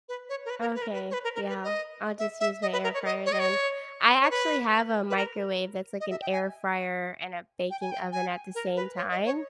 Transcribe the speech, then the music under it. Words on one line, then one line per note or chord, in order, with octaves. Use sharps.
Okay, yeah, I'll just use my air fryer then. I actually have a microwave that's like an air fryer and a baking oven at the same time.
B4
C#5
A#4
B4
A#4
B4
A#4
B4
C#5
B4
A#4
A#4
B4
D#5
E5
E5
D#5
B4
A#4
C#5
D#5
C#5
D#5
C#5
C#5
B4
B4
A#4
D#5
E5
G5
G#5
G5
G#5
G5
G#5
A#4
B4
C#5
D#5
C#5